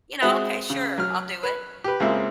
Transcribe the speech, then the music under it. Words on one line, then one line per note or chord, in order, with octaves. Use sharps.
you know, "Okay, sure, I'll do it."
G#3 C4 F#4 C5 E5
C#3
F#3 F6
B4
G4 B4
C#2 G#3 A#3 C4 E5